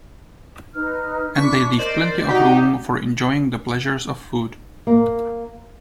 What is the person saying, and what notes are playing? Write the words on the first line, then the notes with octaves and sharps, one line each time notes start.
And they leave plenty of room for enjoying the pleasures of food.
D#4 B4 F6
D4 E4 C#6 B6
A#4 C5 D5 D#5
D#4 F#4 G4 D5 A#5 D6
A#3